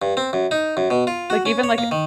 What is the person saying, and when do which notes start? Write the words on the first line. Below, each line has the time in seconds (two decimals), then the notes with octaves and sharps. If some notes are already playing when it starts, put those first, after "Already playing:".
Like, even, like,
0.02 G2
0.17 C4
0.33 F#2
0.51 D#4
0.77 F#2
0.90 B2
1.07 F4
1.30 F#4
1.45 C#4
1.63 C#5
1.78 A#3
1.91 D#3